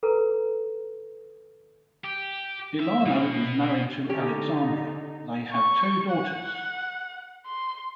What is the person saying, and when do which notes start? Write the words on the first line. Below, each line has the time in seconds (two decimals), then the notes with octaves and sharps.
Elano is married to Alexandra, and they have two daughters.
0.03 A4 B4 A#5
2.04 G4
2.80 E5
3.06 B2
4.09 D3 C#4 D#4 G4
5.53 C#6
6.11 F#5
7.46 C6